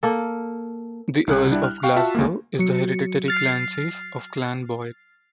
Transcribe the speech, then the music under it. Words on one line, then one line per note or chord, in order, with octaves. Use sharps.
The Earl of Glasgow is the hereditary Clan Chief of Clan Boyle.
A#3 A4
C2 C#3 F#6
G3 D4 E4
F6
F5 G5 C#6
F4 F#4 E5 A5
D2 G#3 A#3
F#3 C#7
F6 A6 C7